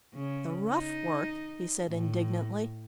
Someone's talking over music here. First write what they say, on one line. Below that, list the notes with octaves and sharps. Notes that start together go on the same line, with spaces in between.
"The rough work!" he said indignantly.
C#3
D#4
A2